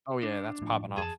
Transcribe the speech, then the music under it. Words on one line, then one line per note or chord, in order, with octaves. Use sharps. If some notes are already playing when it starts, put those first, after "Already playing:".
Oh, yeah, that's popping off.
D4
A2 F3
F2 G#4 A5